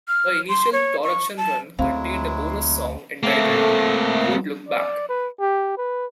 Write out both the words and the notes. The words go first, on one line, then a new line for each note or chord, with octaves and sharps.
The initial production run contained a bonus song entitled "Don't Look Back".
F6
C6
C#5
C#6
A5
D2 F#3 G#3 C4 E4 F5
A3 A#3 C4
D5
B4
G4
B4